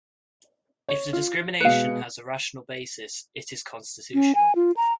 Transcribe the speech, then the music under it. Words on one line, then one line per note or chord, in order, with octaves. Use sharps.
If the discrimination has a rational basis, it is constitutional.
C#5
F4
B2 G#3 B4 F5 C#7
C#4
G#5
F4
A#5